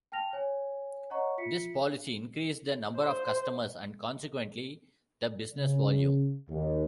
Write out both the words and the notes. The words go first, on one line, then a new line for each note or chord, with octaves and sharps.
This policy increased the number of customers and consequently, the business volume.
G5 A5 F6 A#6 F7
C#5 G#5
C#5 D#5 F#5 A#5 C#6
F4 E5 B6 C#7
C5
C#3
D#2